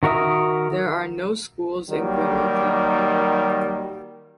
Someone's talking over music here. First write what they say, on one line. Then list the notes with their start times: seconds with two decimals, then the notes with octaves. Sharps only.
There are no schools in Glenorchy.
0.03 D#3 F#4 A#4 E5 D#6
1.90 D#3 F#3 G3 A#3